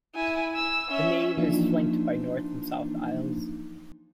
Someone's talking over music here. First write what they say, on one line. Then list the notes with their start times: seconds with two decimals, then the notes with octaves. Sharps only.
The nave is flanked by north and south aisles.
0.15 E4 G#5
0.55 E6
0.89 C#4 E5
1.37 E3 F3 A#3 D4 D#4 F4